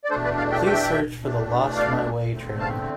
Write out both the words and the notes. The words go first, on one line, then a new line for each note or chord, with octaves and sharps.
Please search for the Lost My Way trailer.
D5
E2 B2 A3 D4 A4 C5
B4 D5
D5 F5
E5 G5
E5 G5
E2 B2 A3 D4
D5 F5
E2 D3 A3 C4
F5 A5